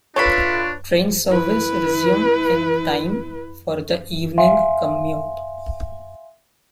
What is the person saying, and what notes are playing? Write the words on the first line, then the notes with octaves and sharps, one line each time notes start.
Train service resumed in time for the evening commute.
D4 F4 A4 B4 C#5 E5 B5
E4 B4
E5 F5 G#5 C6